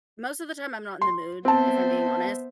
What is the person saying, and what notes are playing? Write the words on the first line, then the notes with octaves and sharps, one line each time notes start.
most of the time I'm not in the mood, if I'm being honest.
C6
B3 C4 C5 E5 A5